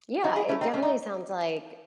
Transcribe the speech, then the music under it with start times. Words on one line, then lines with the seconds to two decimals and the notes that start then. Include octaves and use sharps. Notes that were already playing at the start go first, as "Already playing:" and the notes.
Yeah, it definitely sounds like
0.24 F#3 D#4 F#4
0.36 E4 G#4
0.48 A3 C#4 E4
0.61 C4 D#4
0.73 A2 A3 C#4
0.82 D#4